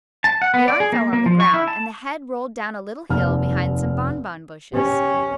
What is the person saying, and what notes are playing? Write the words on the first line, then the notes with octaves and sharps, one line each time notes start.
The arm fell on the ground and the head rolled down a little hill behind some bonbon bushes.
A5
F#5
B3
D5
G#4
A#3
A#3
F3
C#6
E4
A5
F1 D#2 F6
C#4 G4